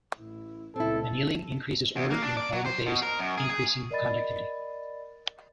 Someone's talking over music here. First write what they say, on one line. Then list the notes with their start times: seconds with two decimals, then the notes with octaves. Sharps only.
Annealing increases order in the polymer phase, increasing conductivity.
0.17 A1 E4
0.76 C#2 A#2 C4 E4 A4
1.96 E2
2.10 A#3
2.22 D4
2.37 D5
2.52 F#3
2.66 C5
2.86 B2
3.02 A#4
3.19 F#2
3.38 G#4
3.50 G#4
3.90 A#4 D5 D#5 B5 A6